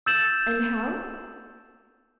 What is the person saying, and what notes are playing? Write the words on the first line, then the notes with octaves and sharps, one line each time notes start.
And how?
E6 G6 A6 E7 F#7